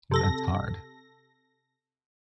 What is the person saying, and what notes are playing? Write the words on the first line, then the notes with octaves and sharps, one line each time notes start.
That's hard.
C3 A4 A#6